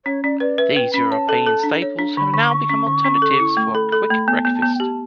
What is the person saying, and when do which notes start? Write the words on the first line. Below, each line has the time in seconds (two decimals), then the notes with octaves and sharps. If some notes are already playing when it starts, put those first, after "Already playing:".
These European staples have now become alternatives for a quick breakfast.
0.06 C#4 C#5
0.24 C#4 D5
0.40 B4 D5
0.58 B4 E5
0.76 B4 G5
0.94 C#4 B5
1.11 C#5 A5
1.29 A4
1.46 A4
1.63 D4
1.82 C#5
1.99 D4
2.17 D3 B5
2.34 D3
2.43 C#6
2.52 D3
2.69 C#4
2.87 D3
3.04 C#4
3.22 A4
3.40 E4
3.57 A3
3.75 A4 B5
3.92 A4
4.11 A3
4.27 B3 A5
4.45 B3
4.54 A5
4.63 B3
4.75 G5
4.80 G4 A5